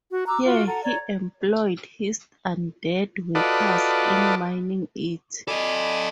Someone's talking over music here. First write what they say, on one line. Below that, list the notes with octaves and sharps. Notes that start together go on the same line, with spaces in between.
Here he employed his undead workers in mining it.
F#4
A#5 D6 E6 F#6
F4 F#4
A4 F#5 A#5
C#5 D5 A#5
F4 F#4 A4 B4 D5 D#5
A4 D5 D#5 G#5 B5